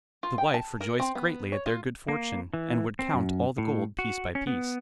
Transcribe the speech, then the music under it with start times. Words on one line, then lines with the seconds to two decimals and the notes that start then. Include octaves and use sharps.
The wife rejoiced greatly at their good-fortune, and would count all the gold piece by piece.
0.23 F4
0.38 G5
0.54 A5
0.81 A#4
1.00 C4
1.15 B3
1.52 C#5
1.66 F4
2.08 A#3
2.54 E3
2.99 C4
3.14 F#2
3.58 A2
3.99 F#4
4.35 C#4
4.47 B3